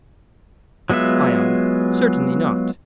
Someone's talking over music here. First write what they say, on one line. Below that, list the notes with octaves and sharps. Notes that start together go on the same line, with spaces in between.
ION: Certainly not.
F#3 G#3 B3 F4 E5